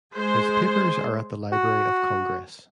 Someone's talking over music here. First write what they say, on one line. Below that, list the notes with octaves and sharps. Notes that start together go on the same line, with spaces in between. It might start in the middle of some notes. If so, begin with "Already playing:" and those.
His papers are at the Library of Congress.
G#3 G#4 C5
F#4